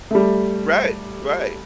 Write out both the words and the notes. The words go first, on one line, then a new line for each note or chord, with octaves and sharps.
Right. Right.
G3 A3